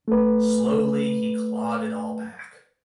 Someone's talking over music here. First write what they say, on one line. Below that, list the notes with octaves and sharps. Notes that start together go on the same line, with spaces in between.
Slowly, he clawed it all back.
A3 B4